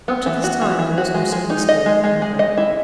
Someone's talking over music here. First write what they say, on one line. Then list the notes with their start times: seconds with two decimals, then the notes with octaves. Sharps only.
Up to this time there was no Sunday-school in Hanbury.
0.08 B3
0.26 E3
0.44 F#4
0.62 E3
0.79 E3
0.98 F#4
1.14 G#3
1.32 G#3
1.50 D#4
1.69 D#5
1.86 G#3
2.04 G#3
2.22 G#3
2.39 D#5
2.57 E4